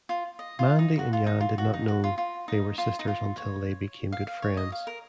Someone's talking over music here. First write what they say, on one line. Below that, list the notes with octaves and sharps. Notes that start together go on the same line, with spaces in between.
Mandy and Yan did not know they were sisters until they became good friends.
F4
D#5
F4
D#4
F#4
F4
D#4
F4
F#4
D#4
F#4
F4
F4
D#4
F4
D#4
F4
C#5
F5
F5
C#5
D#5
F5
A#4